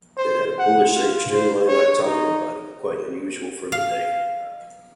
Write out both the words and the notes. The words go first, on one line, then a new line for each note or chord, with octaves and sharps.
It had a bullet-shaped streamlined octagonal body, quite unusual for the day.
C5
F#5
F4
C5
C#5
D#4
F5